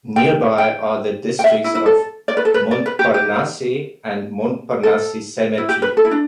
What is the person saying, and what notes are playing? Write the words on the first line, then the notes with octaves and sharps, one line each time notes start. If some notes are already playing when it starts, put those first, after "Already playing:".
Nearby are the districts of Montparnasse and Montparnasse Cemetery.
G5
G5
G5
E5
E4
E4
A4
D5
B4
A4
B4
D5
B4
G4
G4
A4
E4
G4
B4
A4
E4
D4